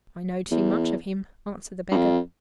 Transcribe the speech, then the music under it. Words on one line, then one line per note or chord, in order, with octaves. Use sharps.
"I know too much of him," answered the beggar.
E2
G2
F2